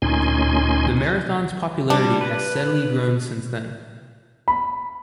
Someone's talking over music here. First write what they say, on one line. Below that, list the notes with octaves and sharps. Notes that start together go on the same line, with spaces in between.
The Marathon's popularity has steadily grown since then.
D2 A#2 C#4 D#4 G#5 C6
G3 D4
B4
B5